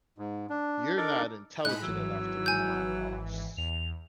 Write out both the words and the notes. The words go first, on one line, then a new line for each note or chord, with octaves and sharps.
you're not intelligent enough to be my boss.
G#2
D4
D4 D#4 A4 A#4 D5
A2 G#3 D#4 B5 F#6
G#1 E3 F#3 E6
G#5 G6
E2 F7